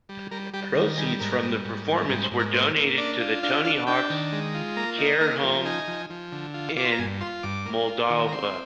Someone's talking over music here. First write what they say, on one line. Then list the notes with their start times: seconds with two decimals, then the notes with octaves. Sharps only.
Proceeds from the performance were donated to the Tony Hawks Care Home in Moldova.
0.09 G3
0.31 G3 A#4
0.53 G3 G4
0.76 D#3
0.98 G3 G#4
1.20 G#2 A#4
1.43 G3
1.65 G#2
1.87 G3
2.09 G#2 A#4
2.24 C5
2.31 G#2
2.39 A#4
2.54 A#3 C5
2.76 A#3
2.98 D4 D5
3.21 F4
3.43 D4 F5
3.65 D4 F5
3.87 D4 G5
4.10 D#3
4.32 G#3
4.54 F4
4.77 A#3 A#5
4.98 D#4
5.21 A#3 A#5
5.36 G#5
5.43 F3
5.65 D#4 G#5
5.88 F3
6.10 F3
6.32 D3
6.54 F4
6.77 F4 D6
6.85 C6
6.92 A#5
6.98 G2 G#5
7.21 F4 C6
7.43 G2 D6
7.66 A#3
7.88 F4
8.10 D#3
8.28 A#5
8.32 C4 C6